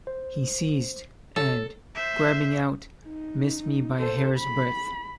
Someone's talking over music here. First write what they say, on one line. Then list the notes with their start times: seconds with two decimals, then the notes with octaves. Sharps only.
He ceased, and, grabbing out, missed me by a hair's breadth.
0.07 C5
1.36 A4 C#5
1.95 C5 E5
3.07 D#4
3.95 A4 C5
4.38 B5